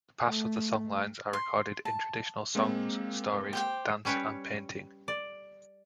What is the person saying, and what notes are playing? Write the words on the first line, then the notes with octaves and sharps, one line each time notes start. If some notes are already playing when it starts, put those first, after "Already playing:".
The paths of the songlines are recorded in traditional songs, stories, dance, and painting.
A3
C6
A5
G#3 A#3 C4
G4 C5 G5
G3 C#4 B4 C#5 G5
D5